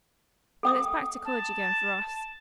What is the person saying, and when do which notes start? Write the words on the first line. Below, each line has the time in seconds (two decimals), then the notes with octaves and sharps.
Well, it's back to college again for us.
0.63 A4 G5 D#6
1.25 A5